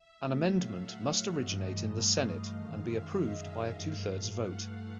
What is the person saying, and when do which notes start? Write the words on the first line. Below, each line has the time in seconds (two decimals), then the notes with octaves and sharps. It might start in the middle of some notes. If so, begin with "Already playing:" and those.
An amendment must originate in the Senate and be approved by a two-thirds vote.
Already playing: E5
0.19 A2 F#3 A3
0.48 F5
0.77 F#5
1.06 F5
1.35 G2 E3 A3 D#5
1.94 F5
2.52 F#2 D#3 G#3
2.82 E5
3.11 D#5
3.40 D#5
3.70 G2 E3 A3 F5
4.29 F#5